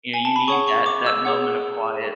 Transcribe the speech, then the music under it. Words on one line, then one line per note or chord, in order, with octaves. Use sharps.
You know, you need that that moment of quiet.
G#5
A5
B5
G#4 C#5 F#5 C#6
C#6
D6
E6
G#4 C#5 F#5